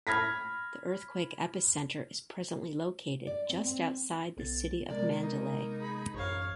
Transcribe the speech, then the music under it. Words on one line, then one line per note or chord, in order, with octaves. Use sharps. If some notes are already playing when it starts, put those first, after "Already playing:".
The earthquake epicenter is presently located just outside the city of Mandalay.
B5 F6 G#6 A#6 B6
D5
C4
C4
B1 B3 A6
C3 G#3 A#3 B3 D5
D#4
G#4 B5
A1 F#2 C#5 F5